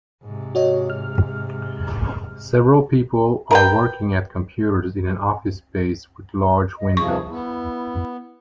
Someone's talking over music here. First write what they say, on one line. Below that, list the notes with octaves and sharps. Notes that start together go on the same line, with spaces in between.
Several people are working at computers in an office space with large windows.
G#2 C3
F#4 C#5 D#5
F6
A#4 B4 G5
D#5
G2 C3 F3 G#4 C#6
B3 E4